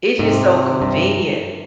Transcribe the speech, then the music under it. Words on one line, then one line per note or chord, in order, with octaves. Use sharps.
It's just so convenient.
G#2 C3
G2